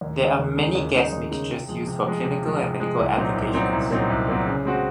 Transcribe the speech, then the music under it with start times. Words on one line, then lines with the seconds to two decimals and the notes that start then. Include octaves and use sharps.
There are many gas mixtures used for clinical and medical applications.
0.01 D#2
0.20 C#3 G#3 D#4
0.39 D#2
0.57 C#3 G#3 D#4
0.75 D#2
0.94 C#3 G#3 D#4
1.13 D#2
1.31 C#3 G#3 D#4
1.50 C3
1.68 F3 G#3
1.87 C3
2.06 F3 G#3
2.24 C3
2.43 F3 G#3
2.61 C3
2.80 F3 G#3
2.98 C2
3.17 A#2 F#3 C4 D#4
3.35 C2
3.54 A#2 F#3 C4 D#4
3.73 C2
3.91 A#2 F#3 C4 D#4
4.10 C2
4.28 A#2 F#3 C4 D#4
4.46 C#3
4.65 G#3 C4 F#4